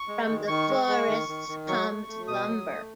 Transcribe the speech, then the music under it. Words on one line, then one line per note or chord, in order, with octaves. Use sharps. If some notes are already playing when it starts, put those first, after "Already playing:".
From the forests comes lumber.
Already playing: C#6
G#3
D#3
D#3 C#6
G#3
G#3
D#3
D#3
D#3
F#3 C#6
A3
A3
B2 D#6
F#3
A3